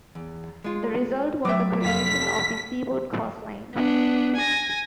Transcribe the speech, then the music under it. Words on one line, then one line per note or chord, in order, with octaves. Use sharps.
The result was the creation of the Seaboard Coast Line.
E2
G#3 F4
F#3 A3 E5 G5 D6
F1 F5 B6
G4 A4
B3 D4
G#5 A#6